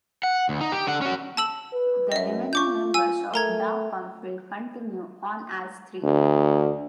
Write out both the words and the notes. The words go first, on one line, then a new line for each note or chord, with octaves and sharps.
The remaining members of Da Pump will continue on as three.
F#5
D2
D#4
G4
D3 F#5
C#4 F#4
A5 E6 F#7
B4
F#2 D#5 E5
F4 C#6 D6 G6
G#5 E6 D#7
A3 A#4 A#5 G#6
D2